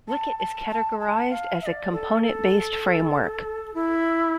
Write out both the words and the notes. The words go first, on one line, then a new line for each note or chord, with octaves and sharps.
Wicket is categorized as a component-based framework.
A5
A5
A5
A5
F5
E5
D5
A4
E4